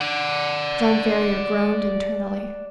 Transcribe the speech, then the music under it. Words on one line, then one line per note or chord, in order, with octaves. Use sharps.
John Ferrier groaned internally.
D5 F#5